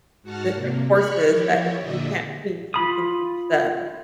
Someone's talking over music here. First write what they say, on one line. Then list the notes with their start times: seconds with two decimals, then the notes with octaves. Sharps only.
different courses that if you can't teach, you can teach them.
0.23 G#2 F#4 F#5 A5 F6
0.54 C3 A#3
0.92 B5 C#6 F6 F#6
1.26 F3 E4 G4 C#5
1.80 A#2 D3 D4 D#5 E5
2.74 F4 B5 D#6